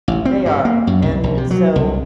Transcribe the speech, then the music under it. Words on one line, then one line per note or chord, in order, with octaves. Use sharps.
They are, and so,
A1
C4
G2
A#3
F#2
C2
A#1
C3
F#3
C2